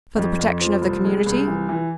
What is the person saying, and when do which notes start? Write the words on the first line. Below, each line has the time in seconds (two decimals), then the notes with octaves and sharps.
"For the protection of the community?"
0.16 F2
0.39 F2
0.61 F3
0.82 C2
1.05 G#3
1.26 C2
1.47 E3
1.69 E3